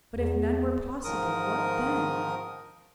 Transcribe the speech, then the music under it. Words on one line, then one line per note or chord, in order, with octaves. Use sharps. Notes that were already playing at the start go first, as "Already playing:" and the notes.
"But if none were possible--what then?"
E2
G#2 D#3 F3 A#4 D#6